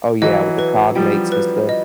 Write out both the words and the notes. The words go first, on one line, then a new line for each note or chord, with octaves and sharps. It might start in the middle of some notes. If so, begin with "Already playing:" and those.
Oh, yeah, with the cognates and stuff.
E3 F#3 D#5
B4
F3 G3 G5
B4
D#5